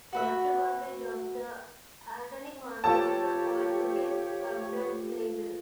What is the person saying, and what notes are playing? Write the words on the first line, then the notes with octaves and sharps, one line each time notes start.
Jeffrey Goldberg of "The Atlantic Monthly" also calls the play a blood libel.
F#4 B4 E5
F3 G4 A4 C#5 G5 A5